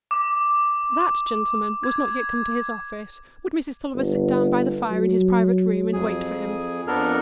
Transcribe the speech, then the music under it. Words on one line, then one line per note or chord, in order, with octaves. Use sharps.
That gentleman was not yet come to his office; would Mrs. Tulliver sit down by the fire in his private room and wait for him?
D6
G#6
G1
F#3
F2 G#4
F2 B3 D4 A4 A#4 F6